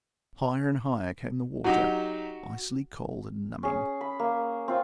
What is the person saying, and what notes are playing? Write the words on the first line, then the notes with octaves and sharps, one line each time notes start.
Higher and higher came the water, icily cold and numbing.
F#3 D#4 F#4 G4
C#4 G#4
B5
A#3
C4 F4